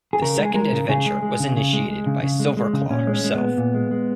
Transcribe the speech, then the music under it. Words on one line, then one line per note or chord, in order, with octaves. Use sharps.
The second adventure was initiated by Silverclaw herself.
G#4
C#3 A#4
G#3 G#4
G#3 A#4
C#3
C#3 G#4
G#3
G#3
C#3
C#3
G#3
G#3
C#3
C#3
G#3
G#3
C#3
A#2 C#4
G#3
C#4
G#3
B3
A#2
A#2
G#3
G#3